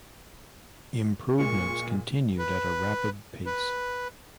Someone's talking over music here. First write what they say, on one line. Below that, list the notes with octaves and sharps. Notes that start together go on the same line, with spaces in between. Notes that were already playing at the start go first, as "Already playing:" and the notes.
Improvements continued at a rapid pace.
A#2 G#3 C#6
B4
B4